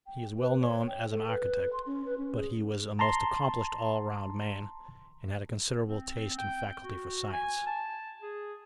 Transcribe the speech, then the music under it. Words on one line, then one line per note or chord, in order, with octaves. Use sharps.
He is well known as an architect, but he was a most accomplished all-round man, and had a considerable taste and faculty for science.
G5
B4
C#5
G5
A4
B4
C6
C#4
B4
C#4
G#4
A5 A#5 C6
C4
G5
F#4
G#5
A5
G#4